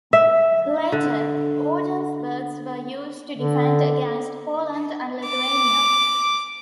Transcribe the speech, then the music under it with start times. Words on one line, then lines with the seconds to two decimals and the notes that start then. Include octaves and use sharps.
Later, Ordensburgs were used to defend against Poland and Lithuania.
0.13 E5
0.92 D3
3.37 D3
5.28 D6